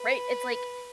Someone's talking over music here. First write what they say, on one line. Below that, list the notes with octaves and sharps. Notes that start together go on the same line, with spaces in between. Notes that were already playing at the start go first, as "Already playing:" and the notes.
Right, it's like,
Already playing: B4